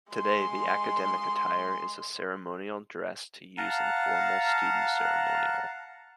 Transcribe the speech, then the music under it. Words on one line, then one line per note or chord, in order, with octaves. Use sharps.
Today the academic attire is a ceremonial dress to use in formal students ceremonial.
G#3 C6
F5 F#5 A5 A#5